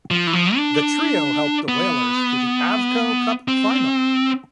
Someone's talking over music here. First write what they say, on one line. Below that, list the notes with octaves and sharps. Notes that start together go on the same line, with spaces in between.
The trio helped the Whalers to the Avco Cup final.
F3
E3
F3
D4
B3
C4